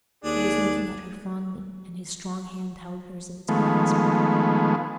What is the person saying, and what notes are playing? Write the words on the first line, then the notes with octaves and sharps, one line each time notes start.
He was looking at her fondly, and his strong hand held hers in its grasp.
D#2 D4 G#4
D#3 F3 G#3 A3 B3